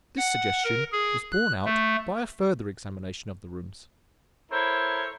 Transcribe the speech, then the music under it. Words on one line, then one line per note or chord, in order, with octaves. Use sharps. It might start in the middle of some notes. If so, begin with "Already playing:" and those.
This suggestion was borne out by a further examination of the rooms.
F#5
A#4
G#4
F#6
A3
E4 A4 A#4 C5 C#5